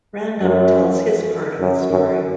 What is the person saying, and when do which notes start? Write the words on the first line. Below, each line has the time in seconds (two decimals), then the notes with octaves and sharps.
Random tells his part of the story.
0.42 F#2
1.60 F#2
1.90 F#2